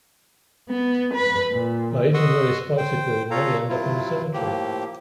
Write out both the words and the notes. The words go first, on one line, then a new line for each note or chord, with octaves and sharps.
By eating very spicy food, many end up in the cemetery.
B3
B4
A#2
D#5 F#5 C6 C#6 D#6 E6
C5 G5
A#2 F4 A4 C#5 F5 A#5
C3 F#3 E4 F4
A2 F3 A#3 G4